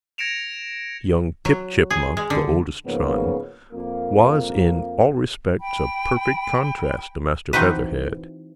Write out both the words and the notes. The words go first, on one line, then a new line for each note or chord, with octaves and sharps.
Young Tip Chipmunk, the oldest son, was in all respects a perfect contrast to Master Featherhead.
G#6 A#6 C#7 D7 E7 F7
F#3
G#4
G#3
D3
G#2 C#3 F3 A#3 B3 C#5
F2 A#3
G5 B5
E3 C4 D#4 F#4 B4